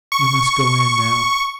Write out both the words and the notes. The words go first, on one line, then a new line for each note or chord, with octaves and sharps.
"You must go in now!"
C#6